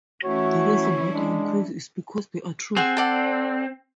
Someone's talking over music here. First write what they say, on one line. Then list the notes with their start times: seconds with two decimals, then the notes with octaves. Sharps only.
The reason that I am crazy is because they are true.
0.24 E3 A3 C#4 E4 F#4 C#5
1.11 G#3 D4
2.77 C4 G#4 F#5 G#5
2.97 A4 D5 F#5